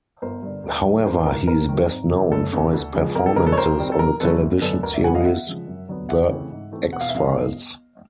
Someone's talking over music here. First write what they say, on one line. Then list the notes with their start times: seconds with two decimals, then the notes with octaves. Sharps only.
However, he is best known for his performances on the television series "The X-Files".
0.22 G1 A#4 C5
0.43 G2 D3
0.64 D2
0.85 D3 F#3
1.05 G#1 A#4 C5
1.26 G#2 E3 A#4
1.47 D#2 A#4
1.69 D#3 F#3 A#3
1.90 G#1
2.11 F#2 C#3 F3
2.32 F#1 A4
2.53 E2 C#3 E3
2.73 D2
2.94 C#3 F3 G#3
3.15 F2 A#4
3.26 A4
3.36 C#3 F3 G#3 A#4
3.47 A4 B4
3.52 C#5
3.57 D#2 A#4 C5
3.78 D#3 G3 C4
3.92 A4
3.99 F1 A#4
4.20 F2 C#3 F#3 A3 A4 B4
4.41 G1
4.62 F#2 D3 A4 B4
4.83 D2 A#4
4.94 D5 E5
5.04 C3 E3 G3 B3 F#5 G#5
5.15 D#5 F5
5.25 E2 E5 F#5
5.47 C#3 F3 G#3
5.67 F#2
5.88 D3 F#3 B3
6.09 C#2 E5 F#5
6.30 C#3 E3 A3 C4
6.51 G#2
6.72 E3 A3 C4
6.93 E1 F#5
7.01 F5
7.09 E5
7.14 D#2 C#3 F3 G#3 D#5 F5
7.35 G1